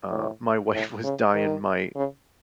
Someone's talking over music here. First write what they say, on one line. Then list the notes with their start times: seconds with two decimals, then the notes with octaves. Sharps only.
uh, my wife was dyeing my
0.10 A2
0.73 A2
1.03 C#3
1.35 D#3
1.95 C#3